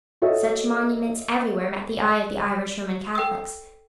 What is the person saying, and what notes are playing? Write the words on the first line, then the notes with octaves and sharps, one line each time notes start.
Such monuments every where met the eye of the Irish Roman Catholics.
F#4 A4 C#5 D#5 E5
A4 G5 D#6 E6